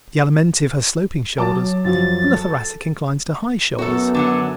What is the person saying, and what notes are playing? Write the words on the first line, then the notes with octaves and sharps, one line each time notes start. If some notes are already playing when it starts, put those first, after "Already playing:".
The Alimentive has sloping shoulders and the Thoracic inclines to high shoulders.
F#3 A5 D6 A6
F#2 F3 F#3 A6
A4
F#2 B3 F#4 A4
D3 F#3 F#5